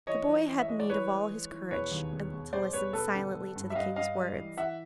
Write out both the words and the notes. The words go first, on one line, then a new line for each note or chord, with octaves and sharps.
The boy had need of all his courage to listen silently to the king's words.
E3 C#5 D#5
E3
E3
E5
G#3 D#5
D5
E3 B4 C#5
G#3
E3
E3
E1 B4 C#5
D#2
E1
E1
E1 C5 D5
E1 B4 C#5
E1 A4 B4
D3
G3
G2
E5
G2 D#5 F5
G2 D#5 F5
G3
E3
E3 E5 F#5